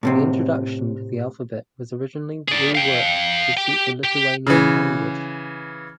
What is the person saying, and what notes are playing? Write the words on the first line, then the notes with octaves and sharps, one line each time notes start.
The introduction to the alphabet was originally reworked to suit the Lithuanian language.
A2 C3 C4
G#4 D5
F5 G5
G4 G5
G4 G5
C#3 E3